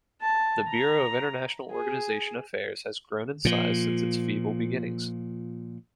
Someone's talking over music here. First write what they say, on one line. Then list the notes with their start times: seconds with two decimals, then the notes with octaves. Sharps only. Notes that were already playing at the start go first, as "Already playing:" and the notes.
The Bureau of International Organization Affairs has grown in size since its feeble beginnings.
0.22 A5
0.68 A#5
1.71 G#4
3.45 A#2 F3